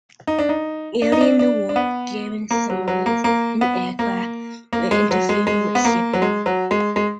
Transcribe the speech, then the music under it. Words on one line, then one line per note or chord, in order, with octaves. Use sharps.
Early in the war, German submarines and aircraft were interfering with shipping.
D#4
D4
D#4
D4
D#4
D4
D4
D4
B3
A#3
F#3
F#3
A#3
A#3
B3
A#3
A#3
G#3
F#3
G#3
G#3
B3
A#3
F#3
G#3
F#3
G#3
G#3